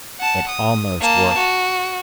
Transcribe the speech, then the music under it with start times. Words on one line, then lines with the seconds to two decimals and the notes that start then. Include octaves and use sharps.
It almost worked.
0.19 F#5 A5
0.49 D#6
1.00 A#3 A5
1.38 F#4